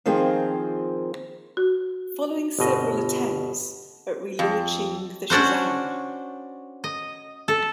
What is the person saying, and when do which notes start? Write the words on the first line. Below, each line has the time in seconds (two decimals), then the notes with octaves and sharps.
Following several attempts at relaunching the Shazam!
0.06 D#3 F3 A#3 C4 F4 G#4
1.57 F#4
2.59 G1 B2 D#5
4.39 F2
5.30 C#4 D4 F#4 C5
6.84 D#5
7.48 A4